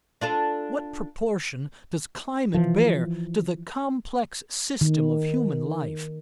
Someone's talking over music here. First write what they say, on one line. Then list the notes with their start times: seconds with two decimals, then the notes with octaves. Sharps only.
What proportion does climate bear to the complex system of human life?
0.21 D4 F4 A4
2.54 E3 F3
4.81 D#3